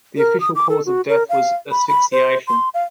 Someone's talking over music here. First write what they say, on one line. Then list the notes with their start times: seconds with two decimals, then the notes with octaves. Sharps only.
The official cause of death was asphixiation.
0.17 A#4
0.40 D#6
0.55 D6
0.69 A4
0.86 F#4
1.09 A#4
1.29 F5
1.71 B5
1.88 B5
2.12 C5
2.47 C6
2.74 F5